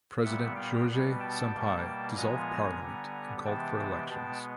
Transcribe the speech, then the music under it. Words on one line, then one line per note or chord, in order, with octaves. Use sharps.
President Jorge Sampaio dissolved Parliament and called for elections.
A#2 G3 B3 E5 F#5
F5 G5
B2 G3 B3
G5 A5
B2 G3 A#3
A#2 F3 G#3 B3 G#5 A#5
D3 G3 B3
C3 E3 G#3 B3 G5 A5
B2 G#3 B3 G5 A5